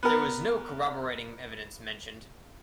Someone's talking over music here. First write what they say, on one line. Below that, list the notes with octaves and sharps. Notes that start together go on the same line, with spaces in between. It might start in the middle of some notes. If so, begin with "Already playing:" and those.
There was no corroborating evidence mentioned.
B3 A#4